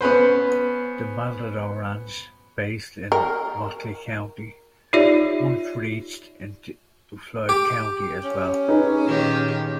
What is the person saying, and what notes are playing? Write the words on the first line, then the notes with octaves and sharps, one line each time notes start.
The Matador Ranch, based in Motley County, once reached into Floyd County as well.
B3 C#4 B4 C5
A#4
D#4 F4 G4 C#5 D5 E5
G4 D6
C#4
D#4 G#4 B4
A#2 D#3 G4